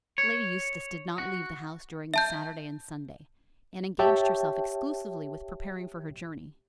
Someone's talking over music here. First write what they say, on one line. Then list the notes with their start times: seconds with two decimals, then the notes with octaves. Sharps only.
Lady Eustace did not leave the house during the Saturday and Sunday, and engaged herself exclusively with preparing for her journey.
0.18 C#5
1.18 F#4
2.14 E5 A5 G6
3.99 G4 C#5 E5 G5 A5